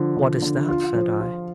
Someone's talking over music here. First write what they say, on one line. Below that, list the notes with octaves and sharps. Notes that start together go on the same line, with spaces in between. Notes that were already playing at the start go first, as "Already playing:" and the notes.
'What is that?' said I.
Already playing: D3 F3
D3
D3
F4
F3
F4